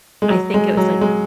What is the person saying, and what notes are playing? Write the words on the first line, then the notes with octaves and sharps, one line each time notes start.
I think it was, like
G#3
F#3
G#3
F#3
G#3